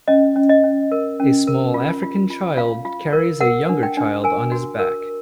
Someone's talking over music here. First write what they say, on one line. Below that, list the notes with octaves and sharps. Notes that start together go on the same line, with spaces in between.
A small African child carries a younger child on his back.
C#4 D#5
C#4
D#5
C#4
A#4
C#4
A#4
F4
F4
F4
F4 F5
F4
A#4
A#4 F#5
D4
G5
D4
A#4 G#5
F#4
A#4